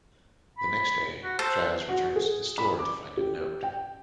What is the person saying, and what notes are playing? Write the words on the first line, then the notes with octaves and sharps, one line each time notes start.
The next day, Giles returns to the store to find a note.
B5
F#4
A4 C5
F#4
G#4
B5
D6
G4
G5